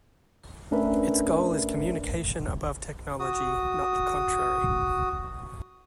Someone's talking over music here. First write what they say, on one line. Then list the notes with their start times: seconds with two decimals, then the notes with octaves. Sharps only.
Its goal is communication above technology not the contrary.
0.71 A3 C#4 D4 A#4 B4 E5
3.19 F#4 D#6